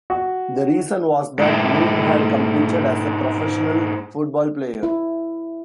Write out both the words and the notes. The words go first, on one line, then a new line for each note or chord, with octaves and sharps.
The reason was that Milt had competed as a professional football player.
F#4
G#2 E4
E4